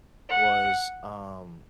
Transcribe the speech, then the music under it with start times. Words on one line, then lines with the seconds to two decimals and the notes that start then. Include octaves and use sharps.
was, um
0.29 F#5